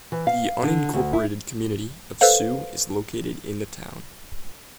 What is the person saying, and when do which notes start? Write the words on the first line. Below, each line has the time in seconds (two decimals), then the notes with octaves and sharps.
The unincorporated community of Sioux is located in the town.
0.12 E3
0.27 F5
0.63 D3
0.93 D2
1.13 E4
2.21 A4 B4 C5 F5